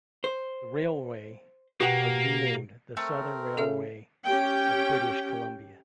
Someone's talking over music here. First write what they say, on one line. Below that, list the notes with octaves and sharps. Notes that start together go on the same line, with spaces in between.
The railway was renamed the Southern Railway of British Columbia.
C5
B2 A#3 F#4 G4 F#5
A3 C4 A#4
C#3 A4 E5 F5
C#4 G4 G5